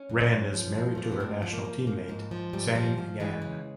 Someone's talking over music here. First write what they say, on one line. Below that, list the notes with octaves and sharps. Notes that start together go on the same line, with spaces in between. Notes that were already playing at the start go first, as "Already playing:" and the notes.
Ren is married to her national teammate Zhang Yan.
Already playing: C#4
F#2
F#2
F3
F3
F3 A3
A#3
B3
A2 C4
F3
A#3
F3
F3 A#3
G#2
F3
G#2 G3
F3
F3
E3 G#3
C#3